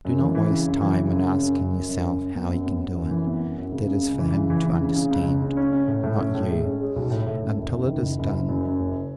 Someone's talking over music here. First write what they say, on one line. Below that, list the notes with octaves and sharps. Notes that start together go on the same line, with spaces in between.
Do not waste time in asking yourself how he can do it: that is for him to understand, not you--until it is done.
F#2
E3
E3
C#3
F#2
E3
C#3
F#2
C#3
F#2
F#2
F#2
F#2
F#2
F#2
B3
F#2
B3
F#2
F#2
E3
B3
F#2
F#2
C#3
C#3
C#2
E3
C#3
E3
E3
C#3
C#3
C#2
C#2
C#3
C#4
C#4
A2
A2
C#4
A2
G#3
C#4
G#3
B1
A2
A2
F#2
F#1
F#1
D#3
F#1
F#1
F#1
F#2
F#2
F#1